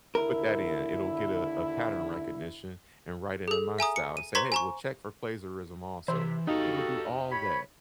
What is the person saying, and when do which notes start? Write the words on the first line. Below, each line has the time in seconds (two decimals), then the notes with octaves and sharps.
put that in, it'll get a a pattern recognition and write it in my style and say, "Hey, we'll check for plagiarism also." It'll do all that,
0.15 D#2 D3 E4 A#4
3.48 G#4 A4
3.79 E5 G#5 A#5 D#6
3.96 C#7
4.17 D#7
4.35 C5 A#5 C6 C#6 G#6 B6
4.52 G#5 A#5 C#6
6.08 C3 E3 C5 E5
6.47 D#4 F#4 G4 A4 F5
7.31 C#5 B5